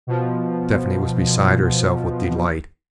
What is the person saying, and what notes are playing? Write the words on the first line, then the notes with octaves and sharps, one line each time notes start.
Stephanie was beside herself with delight.
B2 F3